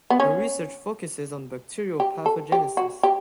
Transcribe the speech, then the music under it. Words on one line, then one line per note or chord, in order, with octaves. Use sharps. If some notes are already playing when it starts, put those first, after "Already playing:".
Her research focuses on bacterial pathogenesis.
B3
C#4
G4
A4
G4
F#4
G4